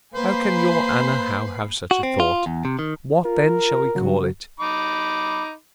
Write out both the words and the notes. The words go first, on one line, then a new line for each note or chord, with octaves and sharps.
How can your Anna Howe have such a thought?--What then shall we call it?
A#3 B4 C5 G#5 B5 C7
F#4
C4
F4
E2
C3
D#3
F4 A#4
C#3 F#3 F#4
D#4 B5 D6